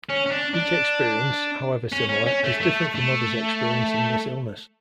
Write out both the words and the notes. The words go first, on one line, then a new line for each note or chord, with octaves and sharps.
Each experience, however similar, is different from others experiencing this illness.
C#4
C#4
D4
D4
C#4
C#4
C#4
A3
A3
A3